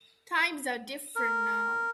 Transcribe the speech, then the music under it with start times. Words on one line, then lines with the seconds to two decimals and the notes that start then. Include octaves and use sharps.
Times are different now.
1.16 A#4